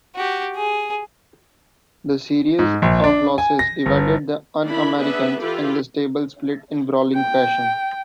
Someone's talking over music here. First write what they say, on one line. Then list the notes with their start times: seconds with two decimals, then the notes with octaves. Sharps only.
The series of losses divided The Un-Americans, and the stable split in brawling fashion.
0.15 F#4 G4
0.56 G#4
2.59 G#2
2.82 A#1
3.04 D4
3.38 G#5
3.59 A#6
3.86 G1
4.64 D#3 D4 E4 B5
4.99 B3 D4 G#4 B4 E5
5.41 E3 E4 F4 G4 A4 B4
7.14 G5